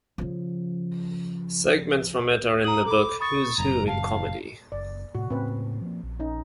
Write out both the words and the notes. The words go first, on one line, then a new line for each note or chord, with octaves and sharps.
Segments from it are in the book "Who's Who in Comedy".
C#3 F3
A#5 D#6 F#7
A4 B5 D6
B5 C#6 D#6 A6
F#1 F#2 A#2 A#5
F5 A5
F#1 D5
A2 C3 F#4
A2 C#3 A#3 C4 C#4 B4
F3 A#3
A#1
C#4 D#4